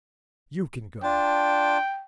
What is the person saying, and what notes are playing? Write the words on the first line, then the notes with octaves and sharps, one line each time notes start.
"You can go."
D4 F4 G5 A5